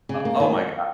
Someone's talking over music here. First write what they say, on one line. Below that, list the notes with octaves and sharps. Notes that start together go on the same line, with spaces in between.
O oh my God.
C#3
A#3
D#3